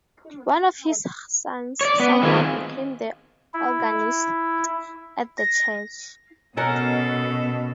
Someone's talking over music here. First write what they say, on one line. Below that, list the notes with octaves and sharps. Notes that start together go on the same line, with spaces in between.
One of his sons, Samuel, became the organist at the church.
C#5 D5
B3
D#3 C4 F4 G#4
E4
A#6
B2 C#4 A4 A#4 F#5